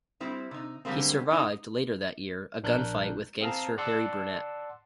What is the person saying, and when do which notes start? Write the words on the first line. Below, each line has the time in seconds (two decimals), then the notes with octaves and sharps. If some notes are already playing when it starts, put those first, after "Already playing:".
He survived, later that year, a gunfight with gangster Harry Brunette.
0.20 G3 C4 E4
0.51 C3 D#4
0.85 D3 G3 G#3 A#3 C4
1.31 B2 D#4 D5 D#5
2.63 A#1 D4 A#4 F#6 G6
3.41 C4 G#4 F5 A5 A#5
3.78 D5 F#5 A5 C6 E6